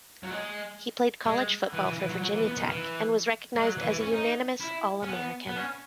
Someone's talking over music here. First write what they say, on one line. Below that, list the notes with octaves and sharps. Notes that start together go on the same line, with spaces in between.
He played college football for Virginia Tech, and was recognized as a unanimous All-American.
F#3
G#3
G#3
E3
E3
E3
F#3
F#3
E3
B3
D#3
E3
G#3
F#3
E3
E3
C#4
D#4
E4
C#4
B3
B3
C#4